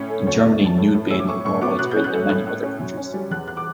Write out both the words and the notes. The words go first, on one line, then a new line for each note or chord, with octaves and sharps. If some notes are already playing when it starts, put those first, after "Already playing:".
In Germany nude bathing is more widespread than many other countries.
Already playing: A2 C#4
A3
D2 C#5
D5
D2
E5
E3 A5
A2
A2
C#4 E6
D6
A2 C#6
A2 C#6
B3 D6
B2 F#6
G6
C#4
F#6
A3
A2 F#6
A2
C#4
F#2
C#4
G3
E2 F#6
F#6
D6